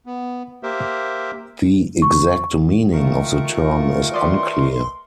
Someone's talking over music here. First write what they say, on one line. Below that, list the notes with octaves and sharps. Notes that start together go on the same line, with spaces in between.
The exact meaning of the term is unclear.
B3
A#3 G4 A#4 C5 E5
C#6
D#3 A3 F4 A#4 C#6
B4 D5 D#5 C6